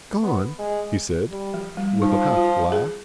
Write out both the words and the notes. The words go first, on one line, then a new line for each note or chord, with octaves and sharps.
"Gone!" he said with a half laugh.
B3
G#3
G3
F3
G3
F3 D#4
F4
G#4